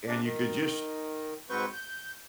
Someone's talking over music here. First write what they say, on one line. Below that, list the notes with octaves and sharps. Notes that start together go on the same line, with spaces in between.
and you could just
C3 D4
D#3
G#2 F#3 C4 B4 C#6 G6
G6